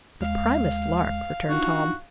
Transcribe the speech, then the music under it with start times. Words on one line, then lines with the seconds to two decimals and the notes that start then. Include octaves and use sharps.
"The primest lark," returned Tom.
0.21 D#2 G#3 F5
1.49 D4 D#4 F4 F#4